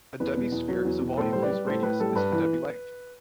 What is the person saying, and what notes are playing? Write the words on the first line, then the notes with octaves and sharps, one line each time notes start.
A Debye sphere is a volume whose radius is the Debye length.
E2 B4
B2
E2
F#3
E2
B2
A2 A4 C5
G3 C5
B4 D5
G3
A2 A4 C5
A2 B4
G3 A4
G2 B4
E3